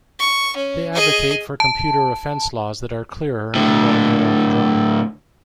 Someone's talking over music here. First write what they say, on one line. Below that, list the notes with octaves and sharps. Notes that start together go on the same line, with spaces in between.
They advocate for computer offense laws that are clearer and more narrowly drawn.
C#6
C#4
G#4 D#5
A5
A2 D3